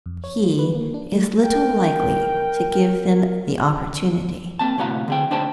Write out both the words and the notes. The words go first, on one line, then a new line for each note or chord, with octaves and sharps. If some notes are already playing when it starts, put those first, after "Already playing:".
He is little likely to give them the opportunity.
F2
C#5
F4
B4
A#3
D4
A3
A#4 G5
A#3 C4 A5
D2 A2 C3 F#4 F5 A#5
D3 G#4 G5
D2 D4 D#4 C5 G5 A5